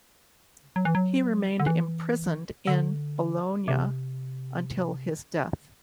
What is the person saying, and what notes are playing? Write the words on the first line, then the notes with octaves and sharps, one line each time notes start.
He remained imprisoned in Bologna until his death.
F#3
E3
F#3
D3
E3
D3
C3